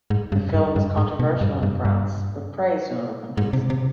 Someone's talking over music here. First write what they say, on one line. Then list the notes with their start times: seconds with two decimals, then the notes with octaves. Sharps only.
The film was controversial in France but praised in other countries.
0.10 G#2
0.32 G2
0.54 G2
0.76 G2
0.97 G#2
1.19 B2
1.41 G2
1.63 G2
1.85 G2
3.37 G#2
3.53 C3
3.70 C3